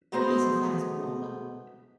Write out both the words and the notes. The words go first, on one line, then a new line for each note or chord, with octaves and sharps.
He is a fast bowler.
B2 G#3 A3 B3 C5 A#5